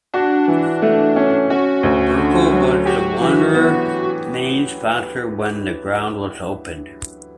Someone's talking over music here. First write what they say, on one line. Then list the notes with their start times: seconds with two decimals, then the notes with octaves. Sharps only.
Verco was the Wanderers main sponsor when the ground was opened.
0.13 D4 F#4
0.48 E3
0.82 A3
1.16 C#4
1.50 C#4 F#4
1.83 D2
2.17 D3
2.52 F#3
2.86 F#4 G4
3.21 E3
3.54 B3